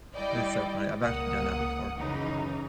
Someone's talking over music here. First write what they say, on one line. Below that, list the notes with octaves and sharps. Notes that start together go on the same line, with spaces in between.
That's so funny, I've actually done that before.
G3 E4 D5 D#5 G5
C#2 A#3 F#5 D#6
F#2 C#3 E3 D#4